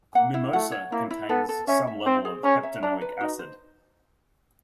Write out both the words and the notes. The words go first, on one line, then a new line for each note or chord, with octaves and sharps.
Mimosa contains some level of heptanoic acid.
A#3 F#5
E4
A3 F#5
C#5
A#3 E4
E4
B3 A4
A4
C#4 E5
E5
C4 C5
G#4
C#4 A#5
E5
D4 A#5
B4
D#4 F#4
C5